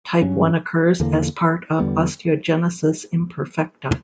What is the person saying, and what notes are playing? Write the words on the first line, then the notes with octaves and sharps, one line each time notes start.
Type One occurs as part of osteogenesis imperfecta.
G2 F#3 C#4
E2 D3 A#3
E2 D3 G3 B3